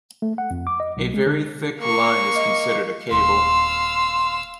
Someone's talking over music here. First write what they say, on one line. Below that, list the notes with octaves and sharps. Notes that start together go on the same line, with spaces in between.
A very thick line is considered a cable.
A3
F#5
F2
D6
D#5
B1
G#3
D3
A#3 C#6
D#5
D#1 C4 F5 C6 E6